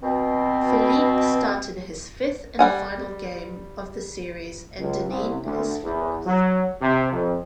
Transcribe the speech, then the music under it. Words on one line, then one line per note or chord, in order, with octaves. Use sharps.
Phillippe started his fifth and final game of the series and Dinneen his fourth.
B2 C4
G3 F#5 G#5
C#2
C2
D2
E2
F#3
C3
F2